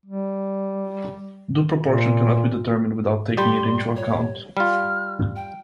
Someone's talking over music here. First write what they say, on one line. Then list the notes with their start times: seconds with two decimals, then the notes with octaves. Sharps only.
Due proportion cannot be determined without taking it into account.
0.06 G3
1.82 A#2
3.37 G3 G4 D5 C6
3.96 C#5
4.57 G3 F4 F6
5.36 G5